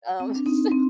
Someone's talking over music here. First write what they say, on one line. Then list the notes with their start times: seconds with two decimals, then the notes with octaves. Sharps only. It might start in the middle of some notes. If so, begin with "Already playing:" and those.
um, so
0.20 C4
0.35 D4
0.46 C4 D#4
0.72 C4